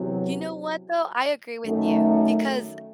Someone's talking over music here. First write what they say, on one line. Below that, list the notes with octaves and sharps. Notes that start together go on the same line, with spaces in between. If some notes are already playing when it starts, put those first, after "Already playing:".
You know what, though? I agree with you, because
Already playing: E2 C3 F#3
F#2 D#3 A3